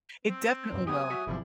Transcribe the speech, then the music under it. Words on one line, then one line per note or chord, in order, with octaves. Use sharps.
It definitely will.
C4
C#2 F#2 B2
F#3 B3 G4 G#5 D#6
F#4 E5
G1 C3 F3 G3 E4 G#4